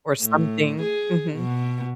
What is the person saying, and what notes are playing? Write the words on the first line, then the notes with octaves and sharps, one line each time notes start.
or something. Mhm.
A2
G#4
B2